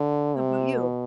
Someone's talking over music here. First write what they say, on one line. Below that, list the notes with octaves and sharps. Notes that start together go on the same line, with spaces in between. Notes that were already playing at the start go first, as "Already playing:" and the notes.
How 'bout you?
Already playing: D3
C3
B2